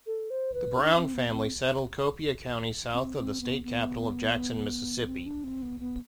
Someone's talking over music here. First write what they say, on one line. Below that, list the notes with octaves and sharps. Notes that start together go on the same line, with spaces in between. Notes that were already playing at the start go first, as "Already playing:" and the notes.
The Brown family settled Copiah County south of the State Capital of Jackson, Mississippi.
A4
C5
B4
D4
C4
B3
C4
C4
C4
B3
B3
C4
D4
C4
B3
B3